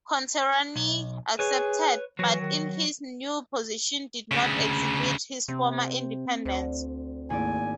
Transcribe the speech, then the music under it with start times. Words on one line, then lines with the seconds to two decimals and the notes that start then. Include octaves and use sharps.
Contarini accepted, but in his new position did not exhibit his former independence.
0.76 B1
1.39 G#4 B4 C#5
2.19 E3 F#3 F#4
2.41 D#3
4.31 D2 C#3
5.48 C3 C4
6.45 D2 C5 D5
7.30 G#1 A3 A#3 E4 D5 G#5